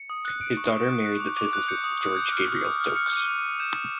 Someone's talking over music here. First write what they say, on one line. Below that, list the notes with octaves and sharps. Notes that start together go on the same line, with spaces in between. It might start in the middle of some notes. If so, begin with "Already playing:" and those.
His daughter married the physicist George Gabriel Stokes.
Already playing: C#7
D#6
F#6
F#6 D7
C#6
C#6
F#6
F#6
D6
D6
F#6
G6 C#7
D#6
D#6
G6
F6
D6
D6
F6
F6 C#7
D6 D#7
D6
D#7
F6
G6 E7
D#6